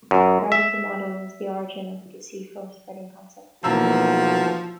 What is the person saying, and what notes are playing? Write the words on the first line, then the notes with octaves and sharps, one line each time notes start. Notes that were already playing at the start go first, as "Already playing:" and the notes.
Part of the model was the origin of the seafloor spreading concept.
F#2
E5
E1 B1 E3 F3 A#3 F#4 E6